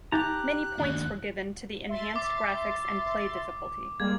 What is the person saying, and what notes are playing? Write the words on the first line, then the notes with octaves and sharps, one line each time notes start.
Many points were given to the enhanced graphics and play difficulty.
D#4 G4 A#5 F#6
D#2 D4
E5 C6 A6
D6
G3 G#3 A#3 G#6